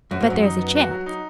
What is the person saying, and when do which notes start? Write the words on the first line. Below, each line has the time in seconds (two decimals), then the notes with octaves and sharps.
"But there's a chance?"
0.11 F#2 F#4
0.21 G#2
0.26 F#2 F#3
0.42 D#4
0.59 B3
0.75 F#4
0.91 F#3
1.06 D#4